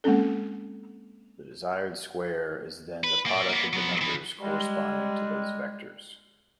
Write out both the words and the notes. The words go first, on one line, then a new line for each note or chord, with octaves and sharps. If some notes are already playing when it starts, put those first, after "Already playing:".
The desired square is then the product of the numbers corresponding to those vectors.
G#3 A#3 C4 C#4 A4
B4
A#3 D5
A#3 B3
F#3 B3
E3 B3
G3 G#3